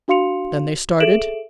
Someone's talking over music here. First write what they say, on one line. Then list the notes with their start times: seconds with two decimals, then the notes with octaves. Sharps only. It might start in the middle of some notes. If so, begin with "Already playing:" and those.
"Then they started?"
0.08 D4 F#4 F5 C6 C#7 F7
1.00 G#4 A4 E5 D7 E7 F#7